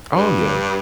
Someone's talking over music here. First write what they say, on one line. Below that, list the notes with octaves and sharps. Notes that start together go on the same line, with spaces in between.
Oh, yeah,
G2